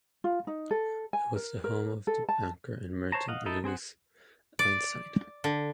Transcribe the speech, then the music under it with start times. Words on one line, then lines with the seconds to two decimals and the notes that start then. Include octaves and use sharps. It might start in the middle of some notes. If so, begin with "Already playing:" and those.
It was the home of the banker and merchant Louis Einstein.
0.24 F4
0.47 D#4
0.71 A4
1.13 G#5
1.36 A#4
1.64 A#4
2.07 A4
2.29 A5
3.12 C5 C#5 A5 A#5
3.28 D#5 F5 F#5
3.46 D#4 E4 A4 A5
3.64 C4 G#4 C5 F#5
4.59 D5
5.44 D3